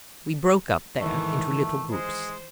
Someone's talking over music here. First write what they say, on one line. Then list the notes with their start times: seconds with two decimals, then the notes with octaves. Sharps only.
We broke up there into little groups.
1.01 G#2 D#3 E3 A3
1.92 G#3 C5